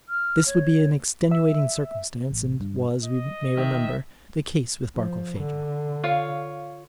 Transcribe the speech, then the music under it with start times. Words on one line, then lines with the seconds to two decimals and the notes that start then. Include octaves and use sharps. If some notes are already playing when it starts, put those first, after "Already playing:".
This would be an extenuating circumstance, and was, we may remember, the case with Barkilphedro.
0.09 F6
0.46 C#5
1.31 E5
2.31 A1
2.60 G2
3.04 D#5
3.57 D#3 E5
4.96 F3
5.38 D3
6.04 F4 C#5 F5